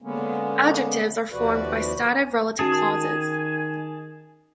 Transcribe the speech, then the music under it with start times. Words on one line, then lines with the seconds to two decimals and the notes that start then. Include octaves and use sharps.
Adjectives are formed by stative relative clauses.
0.02 D3 G#3 A#3 B3 C#4
1.32 D#2 C3 F3 F#4 B4 D5
2.59 D#3 C#4 F#4 G#4 G#5 A5